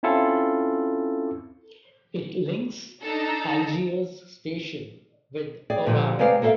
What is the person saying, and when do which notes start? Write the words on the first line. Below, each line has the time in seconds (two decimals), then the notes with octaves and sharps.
It links Algiers station with Oran.
0.03 C4 C#4 E4 F4 A4
3.03 D4 D#4 A4 A#5
5.70 G#4 D5 G5
5.86 A#2 D3 F3 G3
6.19 C3 G#3 C4 B4 D5 F5
6.42 A#3 A4 A#4 C5 E5 F5